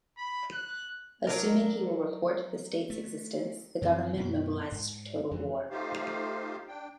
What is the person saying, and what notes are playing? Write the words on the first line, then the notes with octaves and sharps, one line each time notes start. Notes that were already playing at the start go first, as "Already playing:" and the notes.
Assuming he will report the state's existence, the government mobilizes for total war.
B5
F#6
F#3 D4 A#4
A3
F#2 E3 F#3 C4
F#2 B2 A3
G#2
F2 E3
A3 D#4 F4 G4 C5 F5
D4 G5